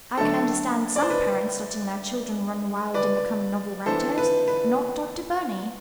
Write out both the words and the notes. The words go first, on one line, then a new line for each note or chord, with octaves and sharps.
I can understand some parents letting their children run wild and become novel-writers, but not Dr. Burney.
D3 F#3 A3 D4 A4
D5
C5
B4
B4 D5
E3 B3 D4 A4 C5
B4
B4